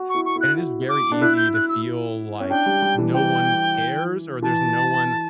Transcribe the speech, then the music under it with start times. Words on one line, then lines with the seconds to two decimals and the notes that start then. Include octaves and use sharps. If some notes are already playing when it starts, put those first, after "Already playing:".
and it is very easy to feel like no one cares or there's no one,
Already playing: F#4
0.09 C#6
0.15 E4
0.25 C#6
0.36 E4
0.41 F#6
0.58 F#4
0.89 D6
1.12 D4
1.22 E4 F#6
1.37 G6
1.54 F#6
1.69 E6
2.40 C#4
2.50 D4 G5
2.66 G3
2.82 G3
2.98 E3
3.14 E3 G5
4.42 E3 A5